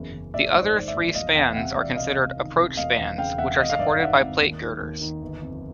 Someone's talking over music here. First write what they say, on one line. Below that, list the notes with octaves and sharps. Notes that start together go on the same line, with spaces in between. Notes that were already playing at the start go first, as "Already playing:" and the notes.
The other three spans are considered approach spans, which are supported by plate girders.
Already playing: F#1 E2 C#3
F#1
A#1 D5 E5
G#2
C5 D5
D#3
D5 E5
A#1
E1 D#5 F5
E2 F5 G5
C3 E5 F#5
E1 D5 E5
C2 D#5 F5
C3
D#3
C2
E1 D#5 F5
E2
C#3 F5 G5
E1 E5 F#5
G#1 D#5 F5
F5
G2 D5 E5
D#3 E5 F#5
G#1
D#2
D#3
D#2
D#3
G1
F2